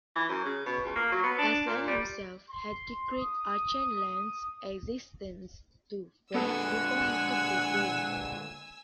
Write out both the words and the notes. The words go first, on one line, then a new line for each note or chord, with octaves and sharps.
Aslan himself had decreed Archenland's existence to Frank before he took the throne.
E3
F#2
C#3
B2
C#2
A#3
F#3
B3
D4
A#2
G3
C6
D#6
A#2 D3 B3 A4 F#5 G#5 E6